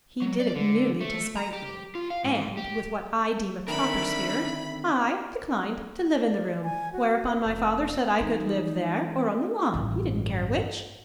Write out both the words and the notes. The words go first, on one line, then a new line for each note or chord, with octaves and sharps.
He did it merely to spite me, and, with what I deem a proper spirit, I declined to live in the room; whereupon my father said I could live there or on the lawn, he didn't care which.
F#3
D5
D3
A3
A#5
G4
F4
F5
G#2
G4
D3 D#3 C4 D4 A#4 E5 B5
D5
G#5
F#4
F1
E3 G#3 D#4
A1 G2